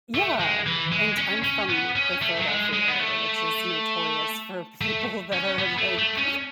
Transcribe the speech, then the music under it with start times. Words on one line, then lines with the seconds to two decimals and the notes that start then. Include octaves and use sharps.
Yeah, and I'm from the Philadelphia area, which is notorious for people that are like
0.14 A3
0.40 G#3
0.66 E3
0.92 G#3
1.18 C#4
1.44 C#4
1.70 B3
1.96 C#4
2.22 A3
2.37 F#3
2.47 G#3
2.73 G#3
2.88 B3
2.99 A3
4.81 A3
5.33 C#4
5.59 B3
5.78 A3
5.98 A3
6.18 C#4